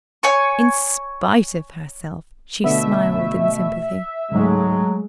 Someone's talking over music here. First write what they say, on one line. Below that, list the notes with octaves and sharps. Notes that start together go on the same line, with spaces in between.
In spite of herself, she smiled in sympathy.
C#5 G#5 C#6
B2 D3 A3 B3 E5
C#2 G#2 F#3 G#3 A3